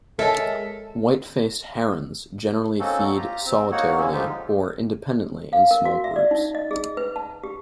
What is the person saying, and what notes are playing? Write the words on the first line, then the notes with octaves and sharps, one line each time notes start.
White-faced herons generally feed solitarily or independently in small groups.
G#3 A4 A#4 C#5 D#5 E5
A#3 C4 C#4 D#4 F#4 A4
F4 G4 A#5
C4
A#3 D#4 F#4 C#5 F#5
B2 D3 D#3 A#3 C4 C#4
D3 F3 G#3 D#4 F4 G4
F5
A#4
F#4
E5
D5
D#4
D#5
G#4
B4
A5
G4